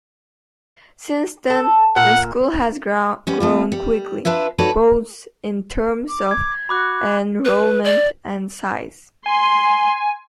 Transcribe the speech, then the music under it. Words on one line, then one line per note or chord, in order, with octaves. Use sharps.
Since then, the school has grown quickly, both in terms of enrollment and size.
A4
A#2 F#5
G3 B3 C#4
A3 C4 F4
G3
D4 E4 F4 B4 E5
D#4 F#4 A4 B4 C#5 D5
D6
G#6
F#4 B5 D6 F#6
B4
D5
G#5 C6